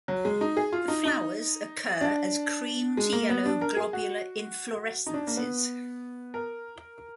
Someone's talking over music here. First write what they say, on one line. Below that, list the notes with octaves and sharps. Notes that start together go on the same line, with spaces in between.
The flowers occur as cream to yellow globular inflorescences.
F#3
G#3
D#4
G#4
F4
D#4
D#4
D4
G#3
A#3
B3
D4
A#4
G#4
F#4
D#4
D4
A#3
B3
A#4